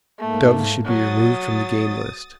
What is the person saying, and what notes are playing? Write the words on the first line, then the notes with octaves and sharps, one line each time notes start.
Doves should be removed from the game list.
G#2 A3 A#3
F#3 D#6 A6